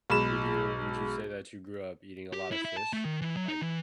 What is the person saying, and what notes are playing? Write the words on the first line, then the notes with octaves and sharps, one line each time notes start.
did you would you say that you grew up eating a lot of fish, like,
B1 G#3 B5 E7
G4
E4
E4
A5
A3
D#3
E3
F#3
D#4
E3